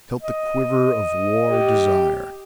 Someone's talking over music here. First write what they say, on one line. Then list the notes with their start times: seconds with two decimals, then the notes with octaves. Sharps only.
He felt the quiver of war desire.
0.22 D#5
1.50 G4